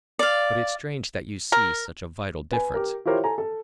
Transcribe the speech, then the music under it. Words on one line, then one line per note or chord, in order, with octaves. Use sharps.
"But it's strange that you see such a vital difference."
D5 F5
A#4
B4 G#5
G4 A#4
E4 F4 G4 A#4 C5 C#5
A4 G#5 A#5
A4